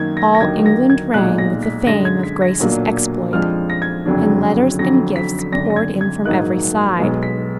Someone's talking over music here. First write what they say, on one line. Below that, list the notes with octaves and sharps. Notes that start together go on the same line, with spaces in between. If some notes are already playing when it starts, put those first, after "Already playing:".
All England rang with the fame of Grace's exploit, and letters and gifts poured in from every side.
Already playing: F#2 D#3 A#3 D#4 G#6
A#6
A#6
D#2 D3 F#3 A#3 D#4 G#6
A#6
G#6
B1 A#2 G#3 D#4 F#6
A#6
B6
F#2 D3 G#3 A#6
G#6
B6
A#6
B1 A#2 F#3 A#3 D4
F2 F3 G#3 D4 F6
A#6
G#6
F#1 F2 D3 F#3 D4
F2 D3 F#3 A#6
B6
B6
G#1 F#2 D3 A#6
A#6
G#6
G#6
A#1 G#2 F#3 A#3 D#4 F#6
B1 B2 G#3 B3
B6